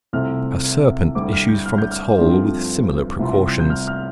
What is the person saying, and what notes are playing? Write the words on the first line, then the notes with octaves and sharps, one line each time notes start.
A serpent issues from its hole with similar precautions.
C2 C3 A3 F4 F6
D2 D3 G3 D6
F6
G6
F6
G6
F6
G2 F3 A3 C4 F4
C2 C3 G3 F4
G6
F6
F6